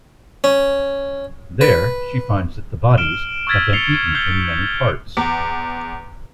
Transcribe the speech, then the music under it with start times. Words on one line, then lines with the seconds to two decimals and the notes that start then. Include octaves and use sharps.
There, she finds that the bodies have been eaten in many parts.
0.44 C#4
1.61 B4
2.97 F6 D7 E7 G7
3.47 C#6 E6 F6 G#6 A6 B6
3.73 C7 C#7 F7 G7
4.15 F6 G6 C7 F7 G7
5.17 E2